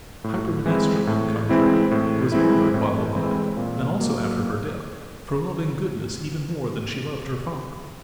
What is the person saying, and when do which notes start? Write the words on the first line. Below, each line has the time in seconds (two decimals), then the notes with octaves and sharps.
Hypermnestra, on the contrary, was honored while alive, and also after her death, for loving goodness even more than she loved her father.
0.24 A2
0.66 E3 G#3 C4 E4
1.07 A2
1.49 E3 G#3 C4 E4
1.91 A2
2.32 E3 G#3 C4 E4
2.74 A2
3.16 E3 G#3 C4 E4
3.57 A#2
3.99 F#3 A#3